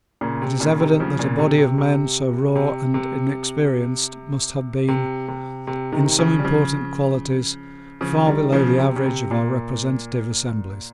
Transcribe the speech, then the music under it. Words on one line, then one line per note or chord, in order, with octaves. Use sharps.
It is evident that a body of men so raw and inexperienced must have been, in some important qualities, far below the average of our representative assemblies.
A#2 C#3
C3
A#2 C#3
C3 D#3
C#3 F3
A#2 C#3
C3
C3
C3
C3
C3
C3
C3
C3
C3 D#3
C#3 F3
G3
C#3 F3
C#3 F3
D#3 G3
C#3 F3
C3
C#3
C3
A#2